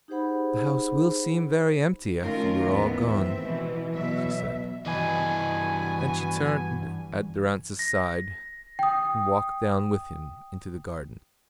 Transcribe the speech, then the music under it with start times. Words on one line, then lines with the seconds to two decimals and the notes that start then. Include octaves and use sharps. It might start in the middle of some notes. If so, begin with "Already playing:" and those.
"The house will seem very empty after you are all gone," she said; and she turned at Durrance's side and walked down with him into the garden.
0.08 D#4 G4 G#4 C5 F#5 B5
2.21 D#3 A3 C#4 F4 A#4
2.68 D#2 A2 E3 B3
3.05 C4 E5
3.42 B2 E3
3.93 B2 F#3 E5
4.86 G2 E3 B3 D4 F#4 D#5 G#5
7.79 A#6
8.79 G5 D#6